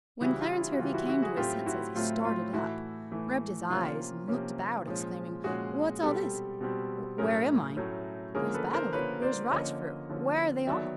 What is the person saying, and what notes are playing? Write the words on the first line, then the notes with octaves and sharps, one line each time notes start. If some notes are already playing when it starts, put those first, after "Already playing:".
When Clarence Hervey came to his senses he started up, rubbed his eyes, and looked about, exclaiming--"What's all this?--Where am I?--Where's Baddely?--Where's Rochfort?--Where are they all?"
C#3 E3 G3 E4 F#4
F4
E4
F#4
C#3 E3 G3 F4
E4 F#4
E4 F#4
F#4 G#4
A2 F#3 A3 C4 F4 G4
E4 F#4
A2 F#3 A3 C4 F4
F4
A2 E3 A3 E4 F#4
A2 E3 A3
C3 F3 A#3 C#4 F4
C3 F3 A#3 C#4
A#2 F3 G#3 C#4
A#2 F3 G#3 C#4 F#4 G#4
B2 G3 C4 G4 A4
B2 G3 C4
A2 F#3 A3 C#4 G#4 A#4
A2 F#3 A3 C#4
D3 F3 A#3 C#4 G#4 A#4
A4 B4
A#4 C5
D3 F3 A#3 C#4 B4 C#5
C5 D5
D3 F3 A#3 C#4 C#5 D#5
D3 F3 A#3 C#4
D#3 F#3 B3 D5 E5